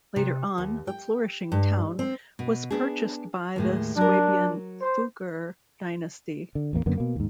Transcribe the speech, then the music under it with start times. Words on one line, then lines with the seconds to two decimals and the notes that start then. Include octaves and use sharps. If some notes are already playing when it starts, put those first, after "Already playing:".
Later on, the flourishing town was purchased by the Swabian Fugger dynasty.
0.16 C3
0.58 D#2
0.87 G5
1.52 G2
1.99 C4
2.39 B2
2.71 B3 D4 G#4
3.56 D#2 A2 G#3
3.97 F#3 D4 A#4
4.81 C5
6.55 D3
6.73 A1 E2 A3 A#3
6.86 F#2 D3 A#3 B3
6.98 B2 A#3
7.16 D#2 G#2